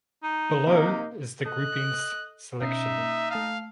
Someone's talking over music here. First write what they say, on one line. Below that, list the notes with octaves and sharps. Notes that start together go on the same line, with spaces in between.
Below is the groupings selection.
D#4
C3 A#3 D#4
A4 D#5 F#6
B2 C#4 D#4 E5 C7
A#3
A3 F5 A5 E6